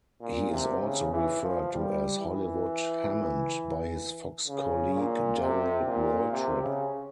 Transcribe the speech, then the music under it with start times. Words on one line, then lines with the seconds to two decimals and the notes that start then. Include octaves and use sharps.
He is also referred to as Hollywood Hammond by his Fox colleague Darrell Waltrip.
0.21 A#2
0.51 C3
0.81 C#3
1.12 E3
1.42 F3
1.73 G3
2.19 E3
4.48 C#3
4.94 A#2
5.39 C3
5.86 A#2
6.31 C3
6.62 C#3